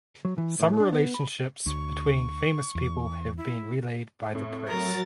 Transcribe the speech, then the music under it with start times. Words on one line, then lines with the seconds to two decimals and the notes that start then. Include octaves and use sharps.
Some relationships between famous people have been relayed by the press.
0.25 F#3
0.38 E3
0.60 A2
0.80 D4
0.93 B3
1.14 B5
1.66 D2 C#6
2.75 E2
3.37 E4
4.33 F2 A2
4.68 F#3 A#4 A6